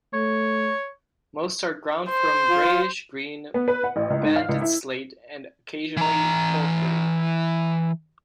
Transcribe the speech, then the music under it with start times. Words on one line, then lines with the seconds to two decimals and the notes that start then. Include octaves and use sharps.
Most are ground from grayish green, banded slate, and occasionally porphyry.
0.13 A3 C#5
2.10 C5
2.48 F4
3.54 B3
3.68 B4
3.83 F#5
3.96 A1
4.10 C#2
4.23 G#2
4.36 F5
4.49 C#2
4.61 E4
5.97 E3 A#5